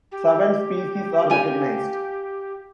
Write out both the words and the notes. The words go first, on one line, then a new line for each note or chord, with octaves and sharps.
Seven species are recognized.
G4
F4 G#5